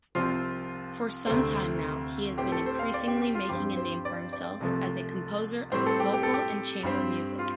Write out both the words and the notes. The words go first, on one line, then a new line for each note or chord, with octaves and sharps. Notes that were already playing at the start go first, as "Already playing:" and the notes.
For some time now, he has been increasingly making a name for himself as a composer of vocal and chamber music.
C2 C3 F3 C4 F4
D2 C3 A3 C4
A2 A3 C4 G4
A4
C5
F5
D5
G4
G4
F4
G2 F3 C4 G4
C5
D5
D5
C2 C3 F3 A3
A2 G3 C4 C5
A4
G4
G4
A4
G4
G2 G3 C4
F4